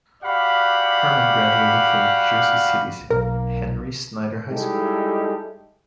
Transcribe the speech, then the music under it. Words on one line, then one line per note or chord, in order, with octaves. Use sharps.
Herman graduated from Jersey City's Henry Snyder High School.
F#4 G4 D5 F5 F#5 B5
B1 A#3 A#4
G3 G#3 D#4 E4 G4 A4